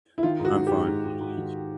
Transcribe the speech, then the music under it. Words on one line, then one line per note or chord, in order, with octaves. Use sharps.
I’m fine.
E4
D#3 F4
G#2
F#4
G#2
G4
G#2
G#2
G#2
G#2
D#3